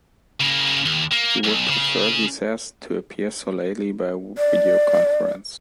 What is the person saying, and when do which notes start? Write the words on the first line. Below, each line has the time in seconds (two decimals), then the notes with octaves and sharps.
He would prefer, he says, to appear solely by video conference.
0.41 C#3 A#3
0.85 D#2
1.12 A#3
1.44 B1
1.68 C#3
4.38 D5